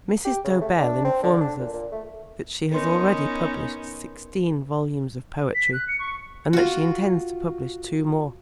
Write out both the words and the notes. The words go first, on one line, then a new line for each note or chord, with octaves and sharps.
Mrs. Dobell informs us that she has already published sixteen volumes of poetry and that she intends to publish two more.
G4
C#3
A3
D4
C4
D3
D4
A#2
A#2
A3
B3 C#4 D#4 A#4 B4 C6
B6
F#6
C#7
C#6
F4 F#4